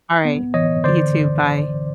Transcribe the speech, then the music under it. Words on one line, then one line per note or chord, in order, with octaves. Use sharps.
Alright, you too, bye.
B3
E3 C#5 D#5
D3 C5 D5